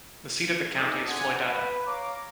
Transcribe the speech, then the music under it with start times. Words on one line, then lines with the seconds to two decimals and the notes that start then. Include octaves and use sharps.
The seat of the county is Floydada.
0.76 C#4 D#4 G#4 A4 D5 D#5
1.08 C4 D4 C5 F#5 G#5
1.48 B4
1.86 C#5 F5 A#5 D6